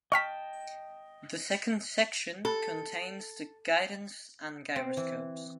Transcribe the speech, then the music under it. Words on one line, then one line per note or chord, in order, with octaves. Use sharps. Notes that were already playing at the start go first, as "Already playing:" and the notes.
The second section contains the guidance and gyroscopes.
D#5 G5 A5 C#6 F6 B6
A4
C4
E3